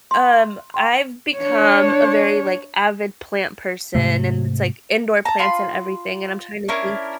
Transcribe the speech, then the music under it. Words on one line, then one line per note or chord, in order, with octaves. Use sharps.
um, I've become a very, like, avid plant person, and it's like indoor plants and everything, and I'm trying to think
C6
F#5 G5 C6
D4 C#5
G#2 C3 A3
A5 A#5
F4 B5 C6
C#4 D4 E4 A#4